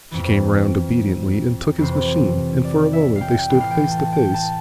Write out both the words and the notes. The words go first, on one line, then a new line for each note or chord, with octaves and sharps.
She came round obediently and took his machine, and for a moment they stood face to face.
F2 E3
F2 C3 E3 C5
D5
E5
F5
G5
G5
A2 E3 F5
F5
G5
A5
G5
A5